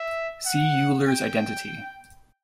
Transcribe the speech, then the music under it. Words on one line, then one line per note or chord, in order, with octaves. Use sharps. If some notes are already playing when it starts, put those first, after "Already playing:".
See Euler's identity.
Already playing: E5
F#5
G5